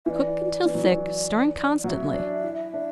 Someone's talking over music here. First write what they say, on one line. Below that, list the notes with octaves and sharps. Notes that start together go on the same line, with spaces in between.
Cook until thick, stirring constantly.
E3 D5 E5
E3 D5
F#3
E3
F#3 E5 F#5
D4
E4
D4